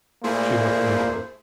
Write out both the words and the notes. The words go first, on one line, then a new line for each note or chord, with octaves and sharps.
She looked into it.
A#2 A3 A#3 E4 G#4 C5